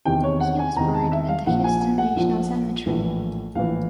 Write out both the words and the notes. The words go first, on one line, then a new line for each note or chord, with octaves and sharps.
He was buried at the Houston National Cemetery.
E2 C3 D#3 G5
C#5
F#5
G#5
E2 C3 D#3 A#5
A5
E5
F5
A#1 A#2 F3 F#5
G#5
G#5
F#5
A#1 A#2 F3
A#1 A2 E3
A#1 A2 E3 F5